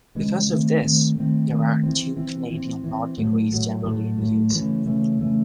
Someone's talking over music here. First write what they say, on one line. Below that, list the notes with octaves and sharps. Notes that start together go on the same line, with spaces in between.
Because of this, there are two Canadian law degrees generally in use.
C#3 E3 G#3 C#4
D#3 A3 C4
D#3 A3 C4
D#3 A3 C4
D#3 A3 C4
E3 C4
E3 C4
E3 C4
E3 C4
A2 F#3 A3
A2 F#3 A3
A2 F#3 A3
A2 F#3 A3
C#3 E3 A3 C#4
C#3 E3 A3 C#4
C#3 E3 A3 C#4